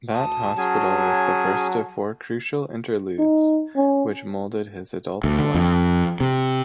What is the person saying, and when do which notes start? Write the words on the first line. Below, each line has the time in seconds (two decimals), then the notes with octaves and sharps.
That hospital was the first of four crucial interludes, which molded his adult life.
0.14 D2 A5 D#6
0.58 F#3 C#4 G#4 G#5
3.19 D#4
3.76 C#4
5.24 D2
5.39 D3
5.54 F2
6.20 C3